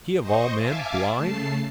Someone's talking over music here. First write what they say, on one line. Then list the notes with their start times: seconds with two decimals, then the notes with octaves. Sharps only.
"He, of all men, blind!"
0.19 C5 D#5 C6 C#6
0.56 E5 F5 G#5 A5 D6
1.14 C#3 A3 A5 C7